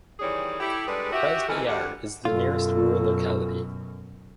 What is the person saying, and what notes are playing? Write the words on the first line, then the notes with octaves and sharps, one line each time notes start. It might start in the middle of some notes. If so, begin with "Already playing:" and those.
Krasny Yar is the nearest rural locality.
D#3 E3 G3 G#4 C#5 D5
E4 G4 A4
G3 G#3 D4 G#4 A4 B4
F#4 G4 E5
C3 E3 G#3 A4 A#4
D2 G3 F#5
F#2 B2 F4 A4